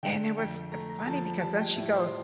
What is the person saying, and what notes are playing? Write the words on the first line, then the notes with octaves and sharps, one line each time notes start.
And it was funny because then she goes,
D3 G5
F2 G5
A3 A#5
A#5
F3 A5
G3 A5
G5
A2 E5
C5